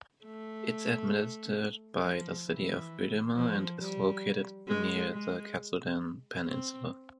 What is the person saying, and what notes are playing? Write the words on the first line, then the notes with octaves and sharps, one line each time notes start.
Its administered by the city of Uruma and is located near the Katsuren Peninsula.
A3
F3
E3
F3
G3
G#3
G#3
C4